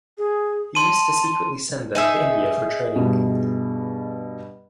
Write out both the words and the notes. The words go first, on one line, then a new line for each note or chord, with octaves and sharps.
He used to secretly send them to India for training.
G#4
A5 C6 D#7
D#4 G#4 E5
G2 B2